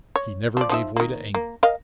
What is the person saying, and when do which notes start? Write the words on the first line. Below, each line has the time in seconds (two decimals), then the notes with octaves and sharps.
He never gave way to anger.
0.16 C#5
0.57 F3 D5
0.69 F3 D#4 E5
0.96 D#3 A#3
1.35 A#3
1.63 A#4 D#5 F5